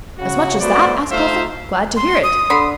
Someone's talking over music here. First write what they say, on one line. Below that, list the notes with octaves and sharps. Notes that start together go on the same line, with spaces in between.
"As much as that?" asked Puffin, "Glad to hear it."
C#3 F#4
A3 B3 F#4 C5 D5
A3 D#4 F4 C5 E5 F5
C6
D#6
D3 B5 C6